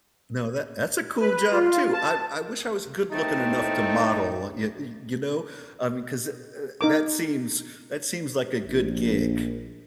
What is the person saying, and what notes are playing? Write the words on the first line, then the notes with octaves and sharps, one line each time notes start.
no that that's a cool job too. I I wish I was good looking enough to model, y y you know? I mean, 'cause eh eh that seems that seems like a good gig.
B4
F4
A5
A2 A3 C4 D#4 A5
D#4 A#4 D6
A#1